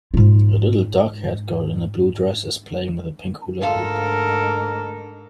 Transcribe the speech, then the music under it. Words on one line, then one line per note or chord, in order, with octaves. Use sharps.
A little darkhaired girl in a blue dress is playing with a pink Hula Hoop.
G#2 F4
D2 G#2 F4 A4 A#4 F5